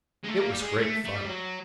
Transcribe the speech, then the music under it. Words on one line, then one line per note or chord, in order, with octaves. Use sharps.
It was great fun.
G#3
A3
A#3
G3
G#3
A3
A3
G3
F#3